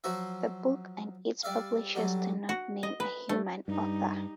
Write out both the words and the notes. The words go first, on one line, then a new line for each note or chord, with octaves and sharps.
The book and its publishers do not name a human author.
F3 F#3 F#4 C5 E5
G3 D5 E5 F5
D3 F#3 G3
F#4
D#5
B4
A3
G2 G3 D#4